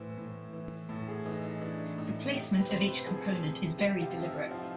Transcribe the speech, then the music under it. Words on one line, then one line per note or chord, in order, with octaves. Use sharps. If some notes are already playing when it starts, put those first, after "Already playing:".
The placement of each component is very deliberate.
Already playing: A2 E3 C5
A2
E3
A2 A4
G#4
E3 D#4
D#4
E3 D4
A2 D#4
C3 G4
B4
C3 C5
B4
F3 G#4
C3
C3 G4
F4
F3
E4
D#4
F3 F4